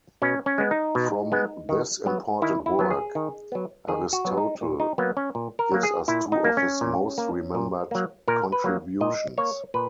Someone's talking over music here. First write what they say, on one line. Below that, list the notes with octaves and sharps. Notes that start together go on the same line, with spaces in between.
From this important work Aristotle gives us two of his most remembered contributions.
B2 C#4
C#4
G#3 B3
D#4
B2
G#3 B3
D#3
F#3 B3
D#3 E4
E4
F#3 B3
G#4
D#3
F#3 B3
D#3 G#4
F#4
F#3 B3
D#4
A#2
D#4
F#3 A#3 B3
C#4
A#2
A#4
F#3 A#3
G#4
A#2 E4
D#4
A#3
C#4
A#2
A#3
A#2
F#3 A#3
A#2 A#4
B4
F#3 A#3
A#2 D#5
A#3 C#5
A#2 B4